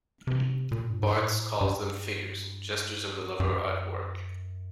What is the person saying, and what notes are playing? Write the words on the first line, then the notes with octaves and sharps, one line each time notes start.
Barthes calls them "figures"—gestures of the lover at work.
C3
A#2
G2
G#2
A2
G2
F#2